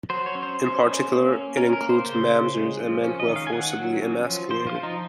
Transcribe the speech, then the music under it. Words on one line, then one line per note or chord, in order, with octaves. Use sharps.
In particular, it excludes "mamzers", and men who have been forcibly emasculated.
F#3 C5
C#5
C#4
C5
C#4 C5
C#4
A#3
C#4
C#4 A#4
A#4
A#3
C5
C#3 C5
C#3
G#3
F3
C#4
D#5
D#3
F5
G#5
D#3 F#5
F#3
C#4
F3
F3 C5
F4
F3
D#4